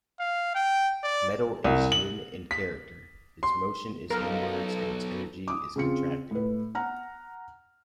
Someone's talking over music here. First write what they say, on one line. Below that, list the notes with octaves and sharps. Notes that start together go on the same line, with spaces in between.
Metal is yin in character, its motion is inwards and its energy is contracting.
F5
G5
D5
C2
F#7
B6
C6
B1 F3 D#4 F4 A4 A#4
D6 D#6
C#3 C4 F4 C#7
A2 B4
F#5 A#5 F6